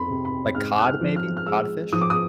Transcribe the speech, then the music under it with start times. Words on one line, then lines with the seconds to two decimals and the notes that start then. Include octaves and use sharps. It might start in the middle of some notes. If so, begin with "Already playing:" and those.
Like cod maybe, codfish?
Already playing: F2 B5 C6
0.10 C3
0.25 B5
0.55 G#2 F6
0.79 F#6
0.85 F6
1.01 F3
1.16 F6
1.37 F6
1.46 G#3 E6
1.93 F3 D#6
2.01 D6
2.10 D#6